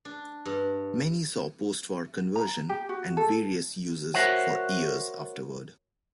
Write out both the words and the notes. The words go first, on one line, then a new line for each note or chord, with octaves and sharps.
Many saw postwar conversion and various uses for years afterward.
D4
G2
A#5
G4
F#4
A4
F#4 A#4 C5 C#5 E5 F#5